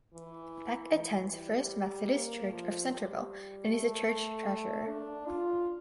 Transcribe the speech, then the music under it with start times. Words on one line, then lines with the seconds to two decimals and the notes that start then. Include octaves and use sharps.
Beck attends First Methodist Church of Centerville and is the church treasurer.
0.14 E3
0.93 E3
1.33 G3
2.11 A#3
2.51 F3
2.91 G3
3.70 A3
4.88 D4
5.27 F4